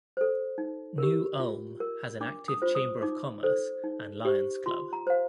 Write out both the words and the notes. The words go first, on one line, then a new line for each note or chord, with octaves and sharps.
New Ulm has an active Chamber of Commerce and Lions Club.
A4 C5
D#4
G4 A#4
F4
A#4
D4 D6
D#6
F4 C5
D#6
D#4 D6
A4 C5
D#4
G4 C5
F4 C6
A#5
C5 F5